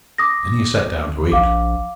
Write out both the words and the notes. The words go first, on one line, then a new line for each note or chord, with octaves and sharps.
Then he sat down to eat.
D6 D#6 A#6
A#1 F5 D6